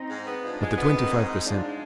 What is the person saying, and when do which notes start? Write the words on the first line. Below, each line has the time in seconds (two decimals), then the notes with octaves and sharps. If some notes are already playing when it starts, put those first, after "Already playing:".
But the twenty-five per cent.
Already playing: C4 D#4
0.10 G#2
0.27 B3
0.44 G#2 D4 F4
0.61 G#3
0.78 B3
0.94 D#3 C4 D#4
1.11 G#2
1.29 G#3
1.45 G#2 D4 F4
1.63 G#3